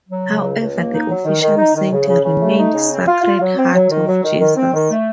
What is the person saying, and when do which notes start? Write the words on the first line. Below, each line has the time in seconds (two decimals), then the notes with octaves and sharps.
However the official saint remained "Sacred Heart of Jesus".
0.08 F#3
0.25 C#3
0.41 C#2
0.58 C#2
0.74 A#3
0.91 D#4
1.08 F#3
1.24 D#3
1.41 D#3
1.57 D#4
1.74 D#3
1.91 C#3
2.07 C#3
2.24 C#3
2.40 A3
2.57 D#4
2.74 C#3
2.91 C4
3.07 F4
3.24 F4
3.40 F#3
3.57 C4
3.73 F#3
3.90 D#3
4.07 F#3
4.23 D#3
4.40 D#3
4.56 C4
4.73 D#3
4.90 A3